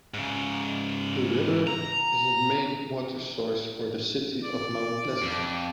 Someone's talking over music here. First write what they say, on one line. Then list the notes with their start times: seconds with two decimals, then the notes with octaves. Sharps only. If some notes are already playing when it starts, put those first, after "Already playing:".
The river is a main water source for the city of Mount Pleasant.
0.14 G#2 C#3
1.67 A#5
4.44 D5
5.23 F2